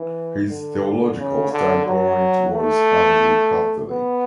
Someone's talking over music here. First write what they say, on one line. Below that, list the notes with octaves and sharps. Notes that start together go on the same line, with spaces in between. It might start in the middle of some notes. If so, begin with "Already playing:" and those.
His theological standpoint was Anglo-Catholic.
Already playing: E3
D3
C#3
D3
F#3
A3
B3